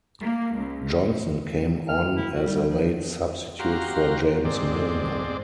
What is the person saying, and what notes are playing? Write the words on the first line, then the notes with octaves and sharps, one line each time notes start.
Johnson came on as a late substitute for James Milner.
A#3
C#2
F6
E4
F#4
G3
F3
F#4 G4 F5 A#5 C6
G#2 C4 D5